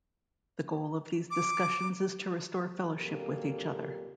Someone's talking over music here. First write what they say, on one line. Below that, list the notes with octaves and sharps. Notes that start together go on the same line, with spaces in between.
The goal of these discussions is to restore fellowship with each other.
D6
F2 A#2 F#3 A#3 G4 A4